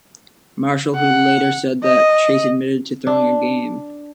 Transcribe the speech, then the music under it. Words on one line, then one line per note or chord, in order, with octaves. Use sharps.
Marshall, who later said that Chase admitted to throwing a game.
F#5
D#5
D4